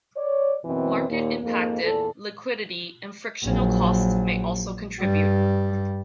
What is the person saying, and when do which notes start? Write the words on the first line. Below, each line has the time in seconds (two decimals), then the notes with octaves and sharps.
Market-impacted, liquidity, and frictional costs may also contribute.
0.16 C#5 D5
0.64 F#2 B2 E3 C4
1.08 D#2 A#2
1.41 F2 G#2 A#3
1.82 E2 A#2 A4
3.44 A#1 F#3
5.00 G2 G3